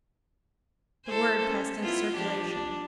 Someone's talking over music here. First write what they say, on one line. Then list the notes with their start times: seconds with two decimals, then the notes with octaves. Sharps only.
The word passed into circulation.
1.06 E4 A4 C5
1.45 C#4
1.80 B3 E4 F4
2.16 F3 D4 G4
2.50 D4